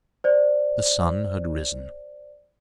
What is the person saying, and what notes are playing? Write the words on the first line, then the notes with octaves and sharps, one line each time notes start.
The sun had risen.
C5 D5